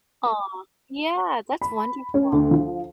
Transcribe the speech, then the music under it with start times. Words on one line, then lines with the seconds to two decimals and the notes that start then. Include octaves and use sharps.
Aw, yeah, that's wonderful.
1.61 B5
2.14 C#4
2.32 D2
2.51 F3